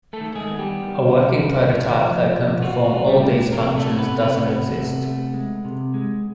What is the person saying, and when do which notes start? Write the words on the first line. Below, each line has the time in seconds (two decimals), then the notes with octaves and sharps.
A working proto-type that can perform all these functions doesn't exist.
0.13 A3 A4
0.21 D#3
0.35 G#3 G#4
0.51 B3
0.59 G3 G4
0.82 D#3
1.11 B3
1.42 D#3
1.72 F4
2.02 F3
2.31 F3
2.62 F4 F#4
2.84 F#4
2.93 F4
3.07 G3 G4
3.23 A3
3.52 C3 A#3 A#4
3.75 A3 A4
3.82 C3
3.97 B3 B4
4.13 C3
4.20 B3 B4
4.43 A3
4.74 C3
5.03 A3
5.34 G#3
5.65 C3
5.94 G#3